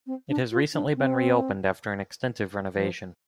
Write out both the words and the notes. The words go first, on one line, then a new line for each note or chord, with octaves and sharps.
It has recently been reopened after an extensive renovation.
C4
D4
F4
D4
C4
F3